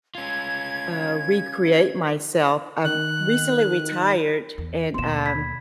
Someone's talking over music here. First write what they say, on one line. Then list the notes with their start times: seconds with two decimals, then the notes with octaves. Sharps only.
uh, recreate myself. I've recently retired and, um
0.15 C#4 F4 G#6
2.84 D#3 F#6
4.58 E2
4.94 D#2 B2 C6 E7
5.26 B5 G#6 B6